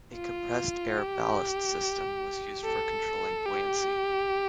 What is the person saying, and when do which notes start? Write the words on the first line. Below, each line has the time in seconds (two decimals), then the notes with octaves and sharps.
A compressed air ballast system was used for controlling buoyancy.
0.15 F4
0.98 G4
2.64 A4
3.46 G4